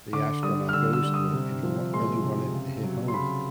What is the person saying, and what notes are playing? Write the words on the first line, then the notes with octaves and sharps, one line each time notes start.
the astronaut goes through, and he wa really wanted it to hit home,
D3 D6
G3 D#6
F6
D3 E6
E6
G3
D#6
C3
F3
G#3 C6
C3
C#3
F#3
C6
C#3 B5